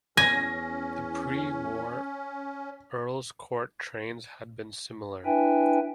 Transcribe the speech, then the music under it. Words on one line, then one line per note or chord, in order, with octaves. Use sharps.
The pre-war Earls Court trains had been similar.
E2 C#4 G#5 A#6
D4 E4 B4 E5 G5 G#5